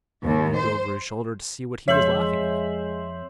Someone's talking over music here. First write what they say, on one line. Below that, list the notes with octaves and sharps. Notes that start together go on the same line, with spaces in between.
I leaned over his shoulder to see what he was laughing at.
D#2
C5
F2 G#3 C5 C#5 E5 F#7